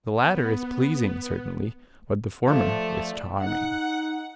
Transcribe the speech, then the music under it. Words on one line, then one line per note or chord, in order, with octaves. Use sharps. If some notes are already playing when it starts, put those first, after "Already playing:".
The latter is pleasing, certainly, but the former is charming.
B3
F3 A3 A4 D5
D#4 F#5